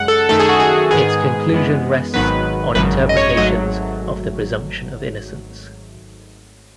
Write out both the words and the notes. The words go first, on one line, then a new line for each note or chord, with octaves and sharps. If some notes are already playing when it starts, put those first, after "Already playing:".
Its conclusion rests on interpretations of the presumption of innocence.
Already playing: F#2 C#3 G#3 F#5
A4
F#2 D#3 A3 A4
G#4
F#4
G#4
G#2 D#3 G#3 B3 G#4
F#2 E3 G#3 B3
G#1 G#2 D#3 F#3 B3 B4
G#1 F#2 C#3 F#3 B4
D#5
C#5
G#1 G#2 F#3 A3 D#5